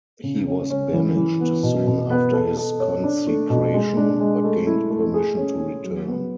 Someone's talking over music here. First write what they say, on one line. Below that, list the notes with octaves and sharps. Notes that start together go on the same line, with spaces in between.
He was banished soon after his consecration, but gained permission to return.
C#3
C#4
C#4
E3
E3
B3
B2
B2
B3
A4
A4
C#5
D4
A3
B2
G#3
D4
G#3
A3
E4
A3
G#4
C#4
C#4
F#3
B3